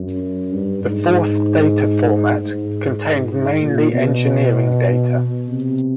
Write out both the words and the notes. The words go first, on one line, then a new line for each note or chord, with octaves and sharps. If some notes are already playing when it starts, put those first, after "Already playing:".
The fourth data format contained mainly engineering data.
Already playing: F#2
G2
G#2
G#2
A#2
B2
C3